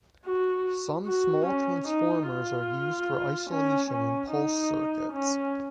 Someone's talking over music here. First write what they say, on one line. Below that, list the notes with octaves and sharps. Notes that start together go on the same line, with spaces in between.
Some small transformers are used for isolation in pulse circuits.
F#4
F#4
C#4
D#4
F4
C#4
C#4
D#4
C#4